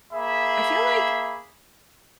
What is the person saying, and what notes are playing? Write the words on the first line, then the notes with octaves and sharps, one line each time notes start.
I feel like
A#3 G#4 E5 B5